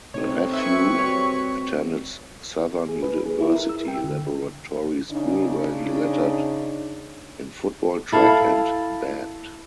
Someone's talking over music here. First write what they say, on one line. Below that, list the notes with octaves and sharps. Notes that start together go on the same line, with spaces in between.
Raphew attended Southern University Laboratory School where he lettered in Football, Track and Band.
C3 A3 C4 D#4 C#5
B4 E5 C#6 G#6
G3 F#4 C#5
G#4
B4
G#4
E4
A#4
E6
G5
D3
C#3 D4 D#4
E4 A4 F5